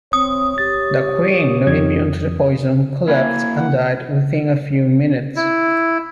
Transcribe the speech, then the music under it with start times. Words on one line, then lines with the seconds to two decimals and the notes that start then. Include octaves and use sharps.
The queen not immune to the poison collapsed and died within a few minutes.
0.13 C4 C#5 D#6
0.58 G4 A6
1.67 F2 G#6
3.08 A#3 E4 G#5
3.57 F#5
5.36 E4